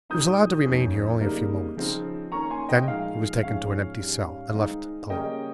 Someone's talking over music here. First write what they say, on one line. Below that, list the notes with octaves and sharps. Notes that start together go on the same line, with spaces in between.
He was allowed to remain here only a few moments; then he was taken to an empty cell and left alone.
A#2 G3 C4 D#4 D#6 G6
F2 D#3 A#3 C#4
C#3 G3 A#3 D#4
C#3 F3 C4 D#4
D#3 A#3 C#4 A#5 C#6
G#5 C6
D#5 G5
A#2 F3 G#3 D#4 F5
G#2 F3 G#3 C#4 F5
G#2 G3 C#4
D#3 G#3 C4 D#4
C#3 G3 A#3 C#4 D#5 G5